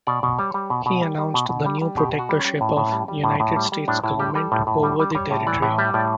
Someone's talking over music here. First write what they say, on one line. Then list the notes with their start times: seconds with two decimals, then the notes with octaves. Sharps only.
He announced the new protectorship of the United States government over the territory.
0.07 B2 D5
0.23 B2
0.39 G3 C#5
0.54 G3
0.70 B2
0.86 B2
1.02 G3
1.18 G3
1.34 B2
1.49 B2
1.66 G3
1.81 G3
1.97 B2 G4
2.13 B2
2.19 F#4
2.29 G3
2.40 C#4
2.45 G3
2.61 A2
2.77 A2
2.92 G3
3.08 G3
3.24 A2
3.40 A2
3.56 G3
3.72 G3
3.88 A2 D4
4.04 A2 E4
4.19 G3 G4
4.35 G3 A4
4.52 A2
4.67 A2
4.83 G3
4.99 G3
5.15 G3 C#5
5.30 A2 C#5
5.47 E3 D5
5.62 A2 E5
5.78 G3 E5
5.94 A2 D5